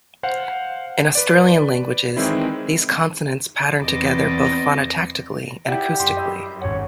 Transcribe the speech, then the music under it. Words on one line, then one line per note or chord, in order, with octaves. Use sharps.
In Australian languages, these consonants pattern together both phonotactically and acoustically.
C5 F5 F#5
B4 D5
D#3 E3 G#3 C4 E4
E2 E3 C4 D#5 D6 A6
E4 G4 D5 E5 F#5
F#2 C6
D#5 B5 E6
G#1 C#4 C#5 F#5